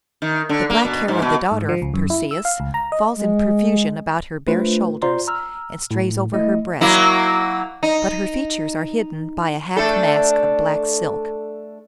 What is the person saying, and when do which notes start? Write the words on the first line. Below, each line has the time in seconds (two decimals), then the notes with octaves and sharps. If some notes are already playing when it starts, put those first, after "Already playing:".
The black hair of the daughter of Perseis falls in profusion about her bare shoulders, and strays over her breast, but her features are hidden by a half-mask of black silk.
0.22 D#3
0.49 D3
0.70 A#3
0.85 B2
1.08 G#2
1.22 B2
1.52 G#2
1.69 F3
1.82 C#2
1.94 F#2
2.10 E4
2.31 E6
2.45 F5
2.60 C#2
2.74 A#5
2.92 D#5
3.15 G#3
4.47 A3 D4 F4 B4 C5
5.02 F4 C5 D5 A#5 C6
5.27 A#5 E6 F6
5.91 A2
6.33 A3 E4 D#5
6.81 F#3 A#3 E4
7.83 D#4
9.77 A3 D4 A4